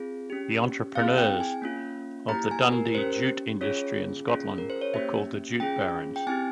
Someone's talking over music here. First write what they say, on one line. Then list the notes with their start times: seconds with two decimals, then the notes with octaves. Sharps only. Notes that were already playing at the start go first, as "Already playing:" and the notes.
The entrepreneurs of the Dundee jute industry in Scotland were called "the Jute Barons".
Already playing: C4 F4 G#4
0.30 C#4 G4
0.95 C4 E4 G#4 F5
1.18 G5
1.40 G#5
1.62 A#3 C#4 F4
2.28 A#3 E4 G4 A#5
2.51 G#5
2.72 A#4
2.88 A#4
2.95 C#4 G4 C5
3.61 C#4 F4 G#4 C#5
4.27 C#4 F4 G#4
4.58 A#4
4.70 C5
4.81 C#5
4.93 A#3 C#4 G4 E5
5.60 C#4 F4 G#4 G5
6.16 G5
6.27 C4 E4 G4 G#5